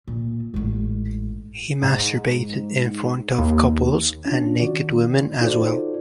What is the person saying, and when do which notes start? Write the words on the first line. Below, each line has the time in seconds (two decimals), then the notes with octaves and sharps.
He masturbated in front of couples and naked women as well.
0.08 A#2
0.54 A1 G#2
1.83 G#2
3.39 D#2
4.25 C#4 D4 F4
4.60 D#3 F#4 D5
5.40 D#4 F4 F#4 A4 C5 D5